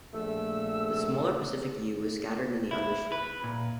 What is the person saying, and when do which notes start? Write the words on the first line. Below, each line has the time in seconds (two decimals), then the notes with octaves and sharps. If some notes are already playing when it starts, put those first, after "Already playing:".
The smaller Pacific yew is scattered in the understorey.
0.14 A#1 A3 E6
2.71 E4
3.12 B4
3.44 A#2